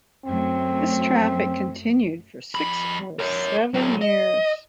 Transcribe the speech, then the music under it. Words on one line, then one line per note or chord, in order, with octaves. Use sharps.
This traffic continued for six or seven years.
F#2 F#3 A3 C4
F2 B5
A#4 C#5
F#3 C4
D#5